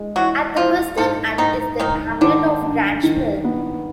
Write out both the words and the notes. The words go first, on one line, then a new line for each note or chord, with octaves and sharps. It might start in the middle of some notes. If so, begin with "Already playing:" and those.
At the western end is the hamlet of Grangemill.
Already playing: G#3
E3 F#3 F#4
E3 F3 F4
G#2 F3 F4
G#2 D#3 D#4
G#2 D#3 D#4
D3 D#3 D4
G2
D#3
B3